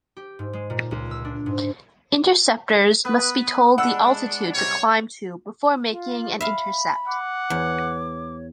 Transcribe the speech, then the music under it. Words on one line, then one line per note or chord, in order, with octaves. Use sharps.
Interceptors must be told the altitude to climb to before making an intercept.
G4
G#2
G#3
A#2
C#2
E6
D4
G#2
B3 B4
G#3 D4 F#5 E6
G#2 C3 G3 C#5
F4
E5 F5 B5
F#5 D6
E2 C#5